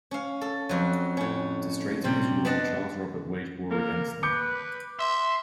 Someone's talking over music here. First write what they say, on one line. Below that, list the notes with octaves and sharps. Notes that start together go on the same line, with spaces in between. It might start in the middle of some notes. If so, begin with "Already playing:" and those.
To straighten his rule Charles Robert waged war against them.
C#4 F5
A4
F2 F#3
A2 C#4
C3 G3 C4
B3 D4 D#5 F#5 A5
A#3 A#4
B4 D6 G6 C#7
E5 C6